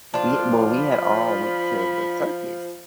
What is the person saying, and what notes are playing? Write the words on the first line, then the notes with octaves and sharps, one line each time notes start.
we well, we had all went to the circus.
F3 D4 F4
B5